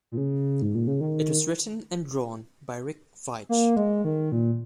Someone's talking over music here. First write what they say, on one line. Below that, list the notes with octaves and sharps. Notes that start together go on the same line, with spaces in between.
It was written and drawn by Rick Veitch.
A#2
C#3
G#2
A#2
C#3
D#3
A#3
G#3
D#3
A#2